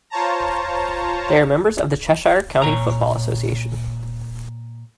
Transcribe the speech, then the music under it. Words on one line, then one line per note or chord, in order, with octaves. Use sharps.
They are members of the Cheshire County Football Association.
F4 C5 C#5 A5 A#5
A#2 C#5 A#5